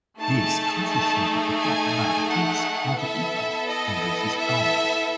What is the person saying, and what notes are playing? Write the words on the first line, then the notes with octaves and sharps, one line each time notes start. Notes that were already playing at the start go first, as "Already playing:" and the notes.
This causes him to forget about Kate's alter-ego and lose his powers.
A3 D#4 G#4 A5
A5
G#5
F#5
B3 E4 A4 E5
D#5
E5